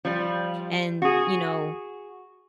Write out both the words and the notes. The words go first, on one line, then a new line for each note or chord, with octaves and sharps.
and, you know
F3 G3
F#4 G#4